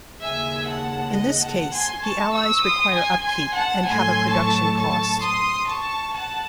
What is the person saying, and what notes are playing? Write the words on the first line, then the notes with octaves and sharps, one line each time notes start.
In this case, the allies require upkeep and have a production cost.
D#2 C#3 G#3 E5 G#5
F#5 A5
D#5 F#5
F#5 A5
G#5 C6
A5 C#6
C#6 E6
C6 D#6
G#5 C6
G#5 C6
F#5 A5
A2 F#3 A3 G#5 C6
A5 C#6
A5 C#6
C6 D#6
A5 C#6
F#5 A5